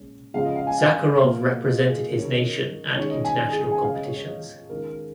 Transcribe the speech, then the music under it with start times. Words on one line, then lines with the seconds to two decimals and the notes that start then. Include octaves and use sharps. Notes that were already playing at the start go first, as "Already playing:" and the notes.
Zakharov represented his nation at international competitions.
Already playing: A#2 G#3 C#4
0.34 C#3 F3 G#3 C#4 F5
0.45 D#5
0.56 F5
0.67 G#5
0.78 F5
1.21 A#2 F3 A#3
1.65 D#5
1.87 G#4
2.08 D#3 C#4 A#4
2.19 C#5
2.30 D#5
2.41 A#4
2.95 D#3 G#3 C#4 C#5
3.10 D#5
3.24 G#5
3.50 G#4
3.60 G#4
3.72 G#5
3.82 C#3 G#3 C#4 F5
3.93 D#5
4.04 C#5
4.15 C#5
4.26 D#5
4.70 D#3 G#3 C#4 A#4